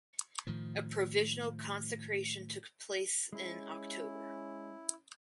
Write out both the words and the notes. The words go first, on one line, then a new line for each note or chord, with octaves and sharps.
A provisional consecration took place in October.
A2 D#3 F3
G#3 C#4 E4